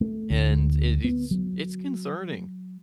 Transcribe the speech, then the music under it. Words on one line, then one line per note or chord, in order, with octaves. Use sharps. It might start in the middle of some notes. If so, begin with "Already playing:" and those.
and it it's it's concerning,
A3
D2
B3
F#3